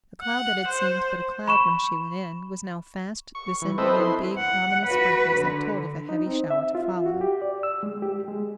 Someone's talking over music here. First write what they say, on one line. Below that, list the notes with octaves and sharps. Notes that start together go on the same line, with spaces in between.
The cloud that had seemed but a cloud when she went in, was now fast descending in big ominous sprinkles that told of a heavy shower to follow.
F#5
C5
B5 C#6 E7
C#6
E3
C4 A4 B4 C5 D#5 E5
E4 C6
F#5
F#4 B4
D3
D#4
C4
E5
F4
F#4
G4
D5
E6
G#3
G4
G#3